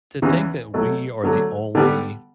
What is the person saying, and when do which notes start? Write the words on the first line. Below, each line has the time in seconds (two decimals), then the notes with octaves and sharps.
to think that we are the only
0.22 E2 C#3 E3
0.74 B2 F#3 A3
1.24 D3 F#3 A3
1.75 D3 G3 B3